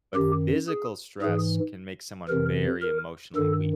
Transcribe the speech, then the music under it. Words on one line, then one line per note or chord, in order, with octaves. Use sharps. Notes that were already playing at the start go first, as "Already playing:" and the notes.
but physical stress can make someone very emotionally weak,
F#2 D#3 G4
G#4
G#2 E3 G#4
F2 C3 E3 A#4
A#4
G2 D#3 A4